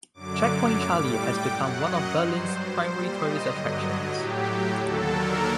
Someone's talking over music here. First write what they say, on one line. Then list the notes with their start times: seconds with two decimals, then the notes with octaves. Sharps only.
Checkpoint Charlie has become one of Berlin's primary tourist attractions.
0.14 F#2 D3 F#3 D6
0.46 D6
0.80 A2 G3
1.13 G5
1.45 F#2 F#3 F#5
1.78 D#5
2.11 G2 F#3 C5
2.77 A#2 G3
3.10 D#5
3.43 G2 D3 F#3
4.09 A2 F#3 G4
4.74 D#2 D3 F#3 A4
5.07 A#4